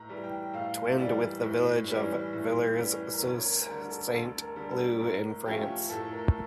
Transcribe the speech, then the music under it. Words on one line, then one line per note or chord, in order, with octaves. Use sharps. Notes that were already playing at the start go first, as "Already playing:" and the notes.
Twinned with the village of Villers-sous-Saint-Leu in France.
Already playing: A2 A#5
E3 G3
G5
A2 F5
E3 G3 D5
A2
E3 G3 C#4
A2
E3 G3 C#4
A#4
D2 C#5
A#4
D3 G3 A#4
A4
D2 A4
A#4
D3 G3
A4
A2 A#4
F3 A3 C#4 G4
A2 A4
A#4